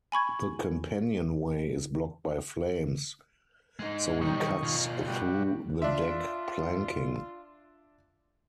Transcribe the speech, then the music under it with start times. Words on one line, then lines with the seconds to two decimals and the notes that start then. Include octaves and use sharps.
The companionway is blocked by flames, so he cuts through the deck planking.
0.12 G#5 B5 C#6 G#6
3.79 G#3 D#4
4.21 B1 D#3 G3 C#6
4.63 B2 F4
5.08 G3 F#4
5.82 D4 F4 E5